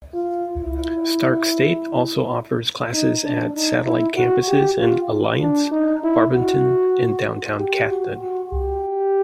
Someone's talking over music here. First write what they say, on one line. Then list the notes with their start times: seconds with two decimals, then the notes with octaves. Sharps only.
Stark State also offers classes at satellite campuses in Alliance, Barberton and Downtown Canton.
0.14 F4
0.61 E4
2.93 D#4
3.24 D4
3.56 D#4
3.86 E4
4.17 F#4
4.49 G4
4.79 F4
5.42 D4
5.72 D#4
6.04 E4
6.34 F#4
7.59 G4
7.90 F#4
8.21 F#4
8.52 G4